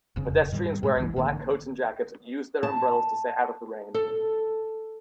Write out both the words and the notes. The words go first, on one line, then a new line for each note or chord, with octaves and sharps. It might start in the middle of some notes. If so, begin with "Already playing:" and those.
Pedestrians wearing black coats and jackets, use their umbrellas to stay out of the rain.
E1 F2 C#3
G#2 D#3 G3
G#2 B2 D3 G#3
G1 C2 E3
A1 D3 D#3 A#3
A5
A4